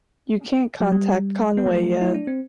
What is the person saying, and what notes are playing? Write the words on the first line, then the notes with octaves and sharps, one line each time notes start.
You can’t contact Conway yet.
F#3
G3
B3
F#3 A3
E4
D4
C4